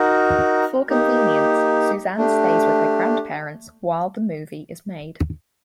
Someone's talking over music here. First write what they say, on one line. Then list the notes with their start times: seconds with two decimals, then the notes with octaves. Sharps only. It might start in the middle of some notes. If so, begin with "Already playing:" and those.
For convenience, Suzanne stays with her grandparents while the movie is made.
Already playing: D#4 F#4 A#4
0.89 A#3 D#4 G4
2.17 A3 D4 G4